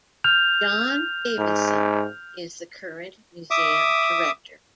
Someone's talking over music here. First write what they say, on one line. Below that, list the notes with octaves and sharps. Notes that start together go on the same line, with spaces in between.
John Davison is the current museum director.
F6 G6 F7
G#2
E5 D6 D#6